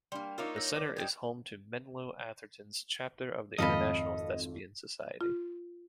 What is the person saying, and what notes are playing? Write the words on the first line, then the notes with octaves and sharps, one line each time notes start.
The Center is home to Menlo-Atherton's chapter of the International Thespian Society.
G3 A#3 D4 D5 C6
A#3 D#4 F4 A#4 C#5 E5 A#5 D6
E6 G6 A#6
B4 D5 D6 A#6
F3 G3 D#4 G5 G6 G#6
G#1 F2 A4 D#5 F5 B5
F4